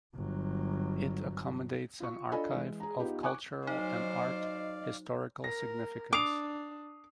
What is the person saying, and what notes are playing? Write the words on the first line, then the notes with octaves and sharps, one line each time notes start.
It accommodates an archive of cultural and art historical significance.
G1 F#3
F4 C#6
D4 F4 A4 D#5 G#5 B5
E3 G#3
G#4 A#5
B3 D#4 F4 G4 B4
G#5 C#6 D6 F#6
F#3 D#4 C5 D5 D#5 F5
A#4 A#6
D4 D6 D#6 C7 F7